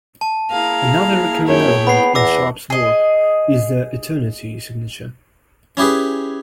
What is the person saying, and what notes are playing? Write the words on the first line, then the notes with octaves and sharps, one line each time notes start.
Another recurring element in Sharp's work is the "Eternity" signature.
A5
A#3 E4 G#4 F5 A#5
F#2 C#5 G5
B3 B5 C7
E2 F#5 D6 E6 A#6
G#4 D#5
C#4 E4 G4 G#4 B4